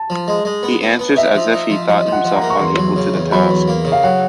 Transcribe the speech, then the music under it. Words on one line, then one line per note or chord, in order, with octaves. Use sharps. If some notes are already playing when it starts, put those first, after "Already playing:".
He answers as if he thought himself unequal to the task.
Already playing: A5
F3
G#3
G#3
B3
B3
B3
D#4 E5
F3
D#4
F3
F3 D#5
F3
F#5
F3
A#5
A#3
C#6
E2 C6
F#3
C#3
E2
F#3 B5
E2
A#3
C#3
F5
F#3 F#5